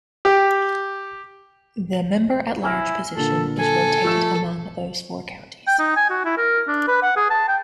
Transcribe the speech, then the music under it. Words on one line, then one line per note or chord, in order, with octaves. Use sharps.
The member-at-large position is rotated among those four counties.
G4
E4 G#5 F6 A#6
A#2 D3 A4
A4 G#5
F3 A3 E6 E7
G5
D#4
G#5
F#4
E4
A#4
D4
B4
F#5
G#4
A5
G5